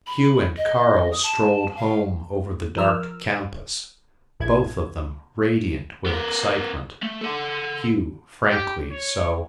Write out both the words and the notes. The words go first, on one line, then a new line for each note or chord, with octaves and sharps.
Hugh and Carl strolled home over the dark campus, both of them radiant with excitement, Hugh frankly so.
B5
D#5
D#6
A5
F5
F3 A#4 E6 F6
A#1 E4 G#6
B3 A#4
A3
A4 F#5
G4
C#5